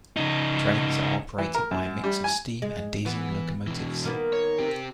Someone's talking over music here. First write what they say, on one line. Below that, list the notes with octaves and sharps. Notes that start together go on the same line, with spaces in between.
Trains are operated by a mix of steam and diesel locomotives.
C#3 D#4
E3
A#4
F#2
G3
G#5
G#3
E3 B3
B2 E3
D#3 A#3 B3
C#5
C4 G4